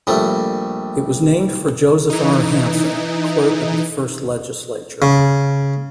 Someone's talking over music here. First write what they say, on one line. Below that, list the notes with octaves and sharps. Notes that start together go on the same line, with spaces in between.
It was named for Joseph R. Hanson, clerk of the first legislature.
A#1 G3 A3
E3 D#4
C#3